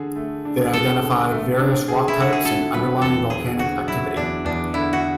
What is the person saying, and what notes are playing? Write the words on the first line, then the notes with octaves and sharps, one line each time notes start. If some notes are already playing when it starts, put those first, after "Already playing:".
They identified various rock types and underlying volcanic activity.
Already playing: D3 G#4
A3
D4
G#4 A4
D3
A3
D4
G#4
E4
D3 F#4
G#4
D3 A4
F#3 B4
E2 A4
E2 G#4
D3 F#4
F#3 E4
E2 D4
E2 D4
D3 E4
F#4